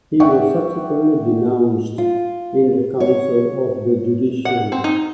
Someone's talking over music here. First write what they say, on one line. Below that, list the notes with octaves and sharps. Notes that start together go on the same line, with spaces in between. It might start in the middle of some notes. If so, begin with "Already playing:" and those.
He was subsequently denounced in the Council of the Judiciary.
D5 E5 F#5 G5 C#6
F4
C#5
F#5
C4
D#4